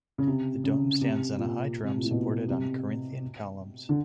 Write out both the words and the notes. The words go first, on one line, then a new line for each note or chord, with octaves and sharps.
The dome stands on a high drum supported on Corinthian columns.
C#3
C3
C#3
C3
A#2
C3
A#2
A2
B2
C3
D3